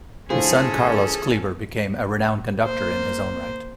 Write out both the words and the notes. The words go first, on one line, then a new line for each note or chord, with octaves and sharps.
His son Carlos Kleiber became a renowned conductor in his own right.
A2 D3 F3 C#4 G#4 A4
A#3 C5